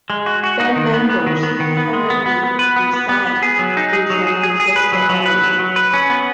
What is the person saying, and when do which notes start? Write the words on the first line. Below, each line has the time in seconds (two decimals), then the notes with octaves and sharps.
Band members currently reside in San Francisco area.
0.10 G#3
0.26 F#4
0.44 F#4
0.60 D#4
0.76 D#3
0.94 B3
1.09 B3
1.27 D#3
1.43 B3
1.60 D#3
1.77 B3
1.93 G#3
2.10 B3
2.26 B3
2.44 B3
2.59 B4
2.76 B3
2.93 B3
3.09 B3
3.27 B3
3.42 G#4
3.59 F#3
3.77 D#4
3.93 G#4
4.10 F#3
4.27 G#4
4.44 G#4
4.60 G#4
4.76 B4
4.92 F#3
5.09 F#3
5.26 B4
5.43 F#3
5.59 F#3
5.76 B4
5.93 C#4
6.10 B3